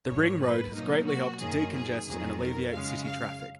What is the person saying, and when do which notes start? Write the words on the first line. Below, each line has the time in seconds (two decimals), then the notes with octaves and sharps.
The Ring Road has greatly helped to decongest and alleviate city traffic.
0.09 G#2 F#3 A#3 C#5
0.42 B4
0.74 B2 F#3 A#3 D#4
1.08 F#4
1.40 F#2 D#3 A#3 G#4
1.73 G#4
2.06 F2 D#3 F#3 G#4
2.39 A#4
2.72 F#2 C#3 G#3 F5
3.04 F5